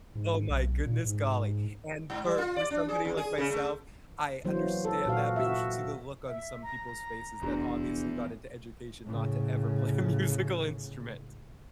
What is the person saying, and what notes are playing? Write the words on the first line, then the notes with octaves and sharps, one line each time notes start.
Oh my goodness, golly. And for for somebody like myself, I understand that, but you should see the look on some people's faces that obviously got into education not to ever play a musical instrument.
G#2
B1
A#2
G#2
G#2
G3
F4
D5
D4
G#4
E2
G#4
C#3
A3
E3 F#3 A#3 C5
A4
A#2 F#4 F5
F#4 E5
E5
A#5
F1 E2 D4 F#4 C6
A2 C#3